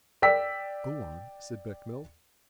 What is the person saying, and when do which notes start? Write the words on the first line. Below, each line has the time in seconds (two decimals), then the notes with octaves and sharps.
"Go on," said Bechamel.
0.22 D5 G5 E6 B6